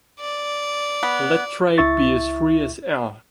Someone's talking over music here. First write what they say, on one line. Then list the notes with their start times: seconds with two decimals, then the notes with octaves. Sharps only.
Let trade be as free as air.
0.20 D5
1.03 B3
1.78 C#2 E4 E5 C#6 A6